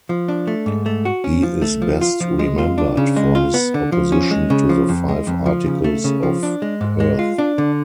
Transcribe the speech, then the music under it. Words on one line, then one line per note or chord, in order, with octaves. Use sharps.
He is best remembered for his opposition to the Five Articles of Perth.
F3
D4
A3
G#2
A3
F#4
C#4
F3
A3
F3
F4
F3
G#3
F4
D4
C#3
G#3
F4
B3
D3
F3
C#4
G#3
C#3
F3
F2
G#3
F2
F3
C#3
A3
C#3
F3
D4
G#3
G#2
G#3
F4
D4
D3